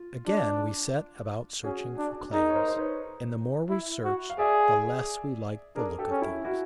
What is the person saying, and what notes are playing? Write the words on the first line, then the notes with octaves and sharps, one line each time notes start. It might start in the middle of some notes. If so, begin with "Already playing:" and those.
Again we set about searching for claims, and the more we searched the less we liked the look of things.
Already playing: F4
D4
C#4 F#4 G#4
D4
D#4 G#4 A#4
C#5
A#4 C5
C5
B4 C#5
E4
F#4
F5
G#4 D5 E5
D4 G#4 A#4
G4 A4
C#4
E4
E4 F#4